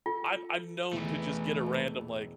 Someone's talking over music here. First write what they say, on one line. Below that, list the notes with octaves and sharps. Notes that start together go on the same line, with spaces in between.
I'm I'm known to just get a random like,
F4 A4
E1 E3 A3 E4 B4